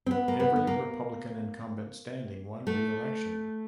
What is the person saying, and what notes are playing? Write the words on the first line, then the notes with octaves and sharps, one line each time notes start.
Every Republican incumbent standing won re-election.
C4
B3
A#3
B3
B3
A#3
A3